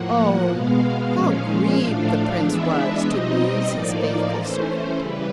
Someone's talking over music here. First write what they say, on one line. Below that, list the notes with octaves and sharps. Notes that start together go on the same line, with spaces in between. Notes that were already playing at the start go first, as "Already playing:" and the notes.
Oh! how grieved the prince was to lose his faithful servant!
Already playing: A2 F3 A#3 F#5
B2 G#3 B3 F5
A#2 F3 G#3 C#4
A2 F3 A3 D4
E3 G#3 B3 D4 E5
B2 G3 C4 D#4 D#5
A2 F3 A#3 D#4 D5
E3 A3 C#4 C5
C#3 E3 G3 B4